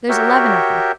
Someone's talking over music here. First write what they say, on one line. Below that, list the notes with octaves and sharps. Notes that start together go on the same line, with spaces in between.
There's eleven of them.
F#4 G4 A#4 C#5 E5 G5